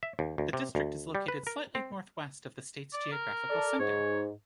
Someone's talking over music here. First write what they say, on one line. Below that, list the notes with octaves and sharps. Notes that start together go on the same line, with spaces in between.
The district is located slightly northwest of the state's geographical center.
E5
D#2
D2
C3
D2
G3
B4
A#4
C4
D5
A#4
A4 D5
G#2 C#5